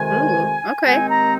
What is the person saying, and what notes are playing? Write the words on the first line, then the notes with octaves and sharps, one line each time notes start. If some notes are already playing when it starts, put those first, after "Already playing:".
Ooh, okay.
Already playing: F2 C3 D#3 G#3 G#5
D#2 D#3 G#3 C4 D#4 G#5
A#5